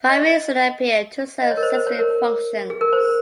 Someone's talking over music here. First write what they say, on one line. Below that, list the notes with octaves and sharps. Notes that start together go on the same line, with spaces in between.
Primary cilia appear to serve sensory functions.
D#5
D#5
C#5
A#4
C5
C5
C#5
A#4
G#4
A#4
C5